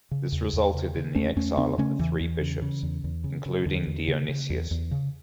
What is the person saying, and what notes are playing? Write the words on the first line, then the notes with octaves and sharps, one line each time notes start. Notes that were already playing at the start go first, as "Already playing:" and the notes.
This resulted in the exile of the three bishops, including Dionysius.
C#3
E2
E2
C#3
C#3
E2 A3 C#4
E2 A3 C#4
C#3 B3 D4
C#3 A3 C#4
E2 E3
E2
C#3
C#3
E2
E2
C#3
C#3
E2 D3
E2
C#3
C#3
E2
E2
C#3